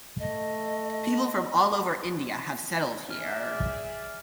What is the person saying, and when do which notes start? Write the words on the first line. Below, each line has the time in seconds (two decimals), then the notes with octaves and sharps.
People from all over India have settled here.
0.19 A3 D#5
3.10 G#4 D5 E5 F6